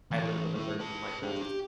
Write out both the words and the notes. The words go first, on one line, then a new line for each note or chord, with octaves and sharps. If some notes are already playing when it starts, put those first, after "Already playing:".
I live with a person like this.
E3 A3
A2 E4
B4 A5
D4 G4
G4